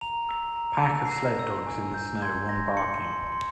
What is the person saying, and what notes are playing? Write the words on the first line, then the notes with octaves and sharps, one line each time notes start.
Pack of sled dogs in the snow, one barking.
A#5 F7
E6
A#5
E6
C7
E6 A#6
E6
G#5
G6
C6 G#6
C6 A#6
C6 C#7
C6
C6